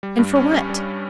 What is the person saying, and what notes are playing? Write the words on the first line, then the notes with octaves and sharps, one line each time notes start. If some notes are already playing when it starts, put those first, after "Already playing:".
"And for what?"
G3
G2
C#4
G3
G3